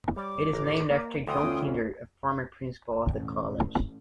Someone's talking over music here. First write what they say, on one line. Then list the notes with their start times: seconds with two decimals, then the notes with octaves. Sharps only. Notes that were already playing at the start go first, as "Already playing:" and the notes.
It is named after John Kinder, a former principal of the college.
0.16 G3 C#5 D5 D6
0.53 A1 A#5
0.91 A#3
1.27 D2 E3 G5 C6 D#6
1.43 C#4 F4
3.08 E1 A1